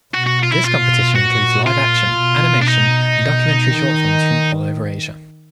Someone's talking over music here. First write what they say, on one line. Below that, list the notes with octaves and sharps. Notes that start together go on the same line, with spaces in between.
This competition includes live action, animation and documentary short films from all over Asia.
B2 F#4
F#4
F4
E4
B2 F4
A#2 F#4
F4
B2
D4
D#4
B2
D#3